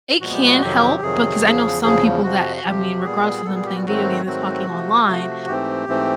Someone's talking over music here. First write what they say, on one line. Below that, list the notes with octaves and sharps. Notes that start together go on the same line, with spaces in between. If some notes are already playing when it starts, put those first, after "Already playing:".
It can help, because I know some people that I mean, regardless of them playing video games and talking online,
A#2 F3 G#3 B3 F#4
G4
F#4
F2 C3 D#3 F#3 G4
F2 C3 D#3 F#3 G#4
E2 C#3 F3
E2 C#3 F3 G#4
F2 C3 F3 F#4
F#4
F2 C3 F3 G4
A#2 G3 B3 G#4
A#2 G3 B3 A4
G#4
G4
F#4
G#2 D#3 F#3 A3 C4 F#4
G#2 D#3 F#3 A3 C4 F#4
C3 F3 A3
C3 F3 A3
G#2 E3 A3 C4 G4
G#2 E3 A3 C4